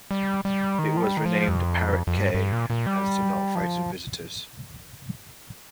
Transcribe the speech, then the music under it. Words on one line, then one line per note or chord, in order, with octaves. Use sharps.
It was renamed Parrot Cay as to not frighten visitors.
G3
G3
D#3
F3
G3
D#3
F3
F2
F2
G2
G2
A#2
A#2
G3
F3